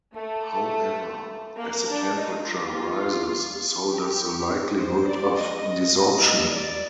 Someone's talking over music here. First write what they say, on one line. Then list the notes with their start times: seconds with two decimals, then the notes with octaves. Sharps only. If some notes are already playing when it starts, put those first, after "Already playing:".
However, as the temperature rises, so does the likelihood of desorption.
0.13 A3
1.58 A#3
1.88 D4
2.16 D#4
2.45 F4
3.91 G4
4.78 C5
5.07 D5
5.37 D#5
6.25 D#5
6.53 D5